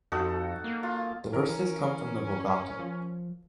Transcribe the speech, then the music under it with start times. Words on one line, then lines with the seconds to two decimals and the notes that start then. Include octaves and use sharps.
The verses come from the Vulgata.
0.12 F2 D#4 F#4 A4
0.64 A#3
0.83 F4
1.33 E3 C#4 A#4
2.79 F3